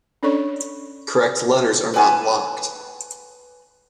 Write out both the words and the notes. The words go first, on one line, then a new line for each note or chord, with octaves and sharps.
Correct letters are not "locked".
C#4 D4 A4 C#5 D5 C#6
B4 G#5 A5